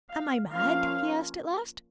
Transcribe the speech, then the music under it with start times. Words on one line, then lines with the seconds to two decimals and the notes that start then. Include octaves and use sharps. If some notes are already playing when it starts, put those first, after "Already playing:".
"Am I mad?" he asked at last.
0.10 F5
0.53 F3 A#3 C#4 F5